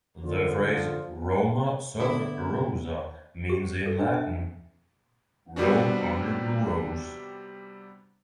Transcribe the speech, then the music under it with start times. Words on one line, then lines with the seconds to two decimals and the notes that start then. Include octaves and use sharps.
The phrase "Roma Sub Rosa" means, in Latin, "Rome under the rose".
0.22 D3 F3 F4
2.00 D3 A#3 B3 E4 A4
3.50 G4
3.86 A4
3.99 D4
4.14 E5
5.56 C3 G3 B3 C4 D4 F#4